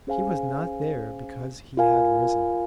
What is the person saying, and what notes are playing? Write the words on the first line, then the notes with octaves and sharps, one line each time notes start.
He was not there because he had risen.
C#4 G#4 C5 F5 G#5
F4 A#4 F5 G#5